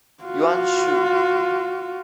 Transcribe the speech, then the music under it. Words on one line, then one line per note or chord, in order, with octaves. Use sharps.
Yuan Shu.
F4 F#4